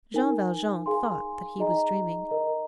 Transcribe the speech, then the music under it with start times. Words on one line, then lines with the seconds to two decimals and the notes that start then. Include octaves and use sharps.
Jean Valjean thought that he was dreaming.
0.14 D#4 A#4 G#5
0.86 G#4 F5 G#5 C6
1.58 D#4 G#4 D#5 A#5
2.29 A#4 D#5 A#5